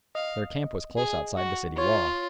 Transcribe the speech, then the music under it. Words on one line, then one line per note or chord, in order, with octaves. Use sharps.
Their camp was close outside the city wall.
D#5 F5
G#4
F#4
F4 C#5